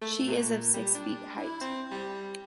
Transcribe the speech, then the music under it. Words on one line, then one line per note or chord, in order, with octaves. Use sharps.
She is of six feet height.
A3
A#2
G3
D4
E4
C4
G3